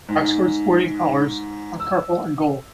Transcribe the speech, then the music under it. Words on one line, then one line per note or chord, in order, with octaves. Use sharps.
Wexford sporting colours are purple and gold.
G#2
E6